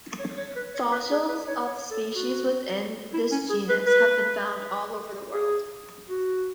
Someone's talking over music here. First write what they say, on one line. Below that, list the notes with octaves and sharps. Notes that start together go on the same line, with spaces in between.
Fossils of species within this genus have been found all over the world.
C#5
C#5
B4
C#5
B4
G#4
B4
C#5
C#5
A4
F#4
E4
C#4
G#4
B4
B4
G#4
F#4